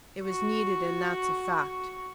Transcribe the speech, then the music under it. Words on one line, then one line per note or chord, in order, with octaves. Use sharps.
It was needed and that's a fact.
F#4 C#6